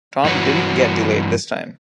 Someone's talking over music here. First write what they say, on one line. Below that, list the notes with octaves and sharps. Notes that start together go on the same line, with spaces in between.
Tom didn't get delayed this time.
G2 E3 F#3 F#4 C#5